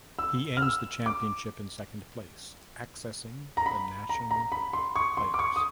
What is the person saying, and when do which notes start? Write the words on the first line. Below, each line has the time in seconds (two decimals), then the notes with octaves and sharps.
He ends the championship in second place, accessing the national playoffs.
0.19 E6
0.57 F6
0.62 E6
1.06 D6
3.57 A#5
3.66 B5
4.09 A#5
4.31 A#5
4.52 B5
4.73 C6
4.96 C#6
5.17 C6
5.34 D6
5.39 C#6
5.56 D#6